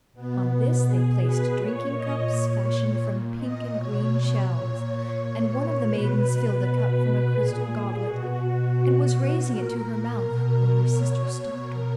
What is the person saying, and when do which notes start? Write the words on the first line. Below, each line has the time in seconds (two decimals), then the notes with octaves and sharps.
On this they placed drinking cups fashioned from pink and green shells, and one of the maidens filled a cup from a crystal goblet, and was raising it to her mouth, when her sister stopped her.
0.13 B2 B3
0.85 B2 G#4
1.21 B4
1.57 A#2 C#5
1.94 D#5
2.29 A#2 C#5
3.01 A#2
3.37 D#5
3.72 B2 C#5
4.44 A#2
5.17 A#2 C#5
5.88 B2 B4
6.61 B2
7.32 A#2 G#4
8.04 B2 F#4
8.76 B2
9.47 A#2 A#4
10.19 B2
10.91 B2 C#5
11.62 B2 A#4